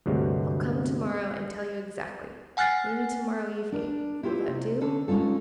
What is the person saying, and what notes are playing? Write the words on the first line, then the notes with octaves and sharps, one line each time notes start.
I'll come to-morrow and tell you exactly--maybe to-morrow evening--will that do?
D2 G2 C3 F#3 G#3
F#5 G#5 F6 F#6 A6 C7
D4 A#4
E4 F4 G4 A#4 C5
C3
D3 C#4 A4
G#3 C#4 D#4 F4 A4